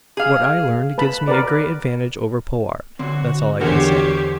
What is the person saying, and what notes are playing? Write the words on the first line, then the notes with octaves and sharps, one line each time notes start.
What I learned gives me a great advantage over Powart; that's all I can say.
G#4 F5
B4 A5 B5
A#4 B4 D5
D3 C4 F#4
E2 D3 F#4 G4 A#4 C5 C#5 F#5